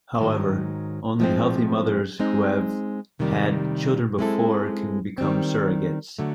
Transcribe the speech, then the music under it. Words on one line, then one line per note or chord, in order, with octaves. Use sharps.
However, only healthy mothers who have had children before can become surrogates.
G#2 D#3 F#3
A2 F3 G#3 C4
G#3 C4 D#4
F2 C3 D#3 G3 A#3
G#3 C4 E4 A4
D#3 G3 C4
D3 F#3 A3